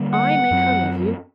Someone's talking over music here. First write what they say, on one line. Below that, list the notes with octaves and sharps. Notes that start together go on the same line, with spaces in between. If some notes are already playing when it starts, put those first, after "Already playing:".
'I make her love you?
Already playing: D3 G3 A#3
F#5
F#2 F#3 C4